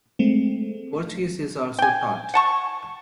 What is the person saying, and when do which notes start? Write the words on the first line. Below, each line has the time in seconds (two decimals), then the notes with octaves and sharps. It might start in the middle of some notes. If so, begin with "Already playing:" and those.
Portuguese is also taught.
0.19 G#3 A3 C4
1.79 G5 G#5
2.34 F#5 A5 C#6